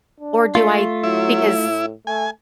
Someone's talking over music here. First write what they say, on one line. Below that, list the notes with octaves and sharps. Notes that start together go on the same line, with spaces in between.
or do I because
D4
A3 F4
F#3 E4
A2
A3 G#5